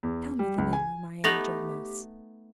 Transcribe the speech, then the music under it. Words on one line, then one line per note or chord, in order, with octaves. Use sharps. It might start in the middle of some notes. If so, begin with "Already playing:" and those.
"Tell me the name of my angel nurse."
E2
G3
C#2
G#5
A3 B3 D#4 G4 A#6 F7 F#7